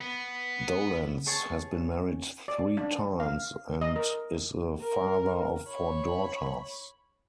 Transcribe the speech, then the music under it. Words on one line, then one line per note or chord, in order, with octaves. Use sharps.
Dolenz has been married three times and is the father of four daughters.
B3
G#4 C#5 G#5 A5
D5
D4
F5
D#5
A#4
A#4
C#5 B5